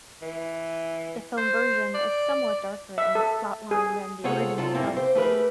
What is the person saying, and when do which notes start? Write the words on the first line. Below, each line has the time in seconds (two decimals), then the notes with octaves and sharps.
The film version is somewhat darker in its plotline than the original teleplay.
0.22 E3
1.37 C5
1.94 D5
2.98 E5
3.15 A4
3.71 G#4
4.24 C3 F4 G#4 A4 C#5 F#5
4.58 C3 F4 A4 D5 A5
4.74 F#2 A2 A#3 C4 E4 A4
4.97 G4 C5
5.15 A3 G4 G#4 A#4 B4